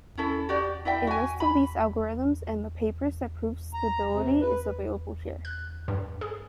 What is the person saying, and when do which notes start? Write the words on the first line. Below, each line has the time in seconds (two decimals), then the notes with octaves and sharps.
A list of these algorithms and the papers that proved stability is available here.
0.18 C#4 E4 A4
0.49 F#4 G4 D5
0.85 E4 D5 E5 G5
1.07 F#4 G#5
1.40 B5
3.74 A#5
4.10 C3
4.41 B4
5.45 F#6
5.88 G2
6.21 G#4